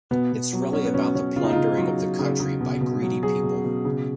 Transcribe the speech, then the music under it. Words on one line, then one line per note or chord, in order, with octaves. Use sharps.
It's really about the plundering of the country by greedy people.
B2 B3
B2
F#3
F#3 C#4
B3
B2 C#4
B2 C#4
C#3 F4
D#4
C#3 F4
F#3
F#3
C#3
C#3
B2
B2
F#3
F#3 G#4
B2
B2
C#3